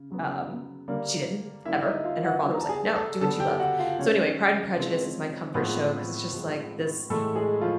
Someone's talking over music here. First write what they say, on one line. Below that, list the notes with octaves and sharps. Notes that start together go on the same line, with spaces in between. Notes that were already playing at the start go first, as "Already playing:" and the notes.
um, she didn't, ever, and her father was like, "No, do what you love." So anyway, Pride and Prejudice is my comfort show 'cause it's just, like, this
Already playing: C#3
C#3 F#3 B3
D3 G3 A#3
D3 G3 A#3 E4 E5
E5
D#4 D#5
F4 F5
F#4 F#5
D3 G3 B3
A#5
A5
G#4 G#5
A4 A5
D3 G3 B3 A4 A5
G4 G5
F#4 F#5
F4 F5
C3 F3 G#3 C4 C#4 C#5
C3 F3 G#3 C4
A2 F3 G#3 B3 C4 B4
A2 F3 G#3 C4
A2 E3 G#3 A3 A4
G#3 G#4
F3 F4